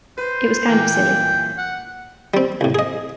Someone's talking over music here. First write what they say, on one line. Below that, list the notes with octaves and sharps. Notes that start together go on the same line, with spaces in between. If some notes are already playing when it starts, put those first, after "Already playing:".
It was kind of silly.
B4 C5
A#2 E3 G5
F#5
G3 C4
C2 A2
G#4 D#5